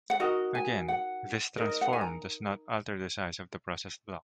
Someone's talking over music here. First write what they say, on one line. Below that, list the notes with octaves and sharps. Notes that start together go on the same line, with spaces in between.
Again, this transform does not alter the size of the processed block.
F#5
D#4 F#4 A#4 D#5
G#5
F#5
D#4 A#4 D#5
D#5
F#5
G#5
A#5